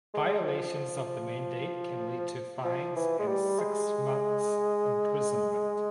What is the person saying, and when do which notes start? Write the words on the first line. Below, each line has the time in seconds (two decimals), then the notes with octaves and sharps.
Violations of the mandate can lead to fines and six months imprisonment.
0.14 G#3
0.45 F3
2.64 F3
2.96 E3
3.19 G#3
3.28 G3
3.59 G#3